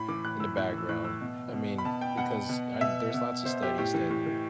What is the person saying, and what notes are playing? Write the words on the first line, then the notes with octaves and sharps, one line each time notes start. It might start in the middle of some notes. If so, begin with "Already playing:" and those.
in the background. I mean, because and there's lots of studies that
Already playing: A2 B5
E3 D6
A2 F#6
E3 E6
A2 F#6
E3
E6
A2 F#6
E3 E6
B2
B2
B5
B2 A5
G5
B2 F#5
B2
B2 E5
B2
B2 C5
G4
A2 G4
E3
A2
E3